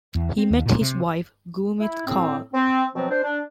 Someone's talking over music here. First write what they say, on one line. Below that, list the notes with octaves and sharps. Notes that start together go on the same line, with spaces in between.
He met his wife, Gurmit Kaur.
E2
C4
D#2
A#2
C3
E4
A2 C4
C4
B2 F3 F#3 C4
D4 C5
D4